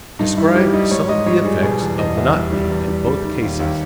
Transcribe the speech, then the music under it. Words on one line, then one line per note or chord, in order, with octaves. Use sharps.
Describe some of the effects of monotony in both cases.
G2 D#4
G3 E4
G3 G4
G3 D#5
G#2 C#5
G#2 D#5
G3 C#5
G3 G#4
B2 G#4
E2
E2 D#5
E2 E5
G3
G3
E2
G3
G3
D#3
D#2
D#2